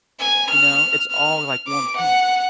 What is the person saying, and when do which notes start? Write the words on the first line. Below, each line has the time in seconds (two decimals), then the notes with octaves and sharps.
you know, it's all like one thing.
0.20 G#5
0.50 F6
1.11 F6
1.68 D6
1.97 F#5